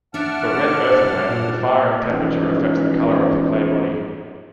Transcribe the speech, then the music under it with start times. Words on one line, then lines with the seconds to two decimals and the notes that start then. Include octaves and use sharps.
For red earthenware, the firing temperature affects the color of the clay body.
0.14 D4 E5 F#5 A5 D6 F6
1.29 A#2
2.08 E3 F3 G#3 B3 C#4 D#4